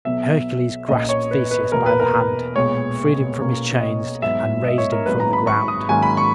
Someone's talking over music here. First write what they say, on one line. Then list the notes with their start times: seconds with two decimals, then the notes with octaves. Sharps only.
Hercules grasped Theseus by the hand, freed him from his chains and raised him from the ground.
0.05 B1 B2 F#3 B3 E5
0.89 A#1 A#2 A#3 C#4 D#5
1.09 C#5
1.31 B4
1.51 B4
1.72 E2 B2 A#3 A#4
1.86 B4
2.00 A#4
2.14 B4
2.55 B1 A#2 G#3 B3 C#5
3.39 B1 B2 A#3 C#4
3.80 D#5
4.22 G#2 F#3 B3 E5
4.64 D#5
4.78 C#5
4.92 A#4
5.05 G#1 G#2 F#3 A#3 B4
5.20 A#5
5.33 B5
5.47 C#6
5.68 D#6
5.89 G#2 D#3 F#3 A#3 C#4 G#5
6.03 B5
6.17 C#6